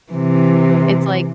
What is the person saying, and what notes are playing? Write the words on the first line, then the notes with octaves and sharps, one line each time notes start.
it's like
C3 E3